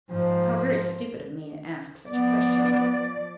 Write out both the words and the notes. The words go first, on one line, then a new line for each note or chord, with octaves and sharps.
How very stupid of me to ask such a question.
G#2 F3
F3 B3 D5